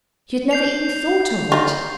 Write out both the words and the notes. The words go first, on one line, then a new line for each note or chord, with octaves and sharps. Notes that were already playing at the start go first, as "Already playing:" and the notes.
She had never even thought of it.
G6 C7 F7
D#4 F4